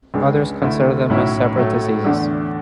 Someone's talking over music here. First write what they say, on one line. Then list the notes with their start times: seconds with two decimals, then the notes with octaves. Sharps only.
Others consider them separate diseases.
0.14 C#2 C#3 G#3 D4
0.62 D2 D3 A3 E4
1.09 B1 A2 F#3 C#4 E4
1.57 A2 F#3 A3
2.05 E2 D3 A3 D4